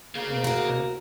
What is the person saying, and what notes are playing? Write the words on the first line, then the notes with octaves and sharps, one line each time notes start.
Yeah, so
D2 A#3 G#4 F5
F#4 A#4